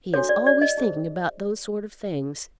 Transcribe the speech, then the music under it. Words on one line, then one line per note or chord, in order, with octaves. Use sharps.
He is always thinking about those sort of things.
D4 F#4 A4 C#5
D5
D5
D#5
D#4 G#4 C5